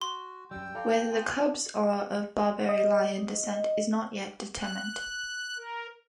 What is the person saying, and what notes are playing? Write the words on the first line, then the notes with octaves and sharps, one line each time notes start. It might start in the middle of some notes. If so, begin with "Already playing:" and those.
Whether the cubs are of Barbary lion descent is not yet determined.
F#4 C6
F#2 G3 G5 E6
E4 A4 D5 F5
B3 F4 G#5
D#5
F#6
A#4